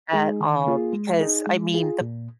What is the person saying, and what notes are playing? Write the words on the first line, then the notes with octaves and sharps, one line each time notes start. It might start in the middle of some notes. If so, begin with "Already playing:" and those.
at all, because, I mean, the
G#3 D#4 G#4
D#3
A#3 F4 G#4
G#3
D#4 G#4
G#3
F4 G#4
A#2